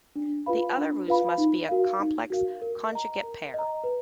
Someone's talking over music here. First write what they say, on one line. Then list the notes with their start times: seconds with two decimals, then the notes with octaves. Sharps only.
The other roots must be a complex conjugate pair.
0.16 D4
0.46 F4 B4 F5 B5
0.77 D4
1.07 F4 B4 F5 B5
1.38 D#4
1.69 F#4 A#4 F5
2.00 D#4
2.30 F#4 A#4 F5
2.62 A#4
2.92 D#5 A#5
3.23 A#4
3.54 D#5 A#5
3.84 B4